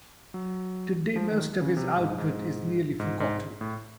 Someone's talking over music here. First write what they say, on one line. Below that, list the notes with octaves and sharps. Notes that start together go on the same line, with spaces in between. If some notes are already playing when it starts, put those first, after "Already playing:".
Today, most of his output is nearly forgotten.
F#3
F3
D#3
C#3
C3
G#2
G#2
G#2
G#2
A2